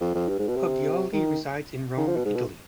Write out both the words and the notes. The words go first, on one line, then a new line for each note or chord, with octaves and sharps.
Poggioli resides in Rome, Italy.
F2
F2
G2
G#2
B2
C3
D#3
D#3
F3
B2
G#2
B2